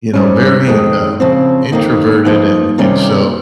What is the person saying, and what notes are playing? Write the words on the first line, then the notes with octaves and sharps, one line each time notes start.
you know, very, um, introverted, and and so,
G#2 G3 C#4
F2 D#3 G#3
C#3 F3 C4
F2 D#3 A#3 D#4
G2 F3 A#3 D#4
C3 D#3 G3 A#3 C#4